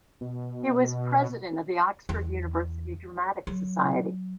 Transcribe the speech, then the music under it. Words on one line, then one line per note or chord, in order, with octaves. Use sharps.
He was president of the Oxford University Dramatic Society.
B2
E2
F#3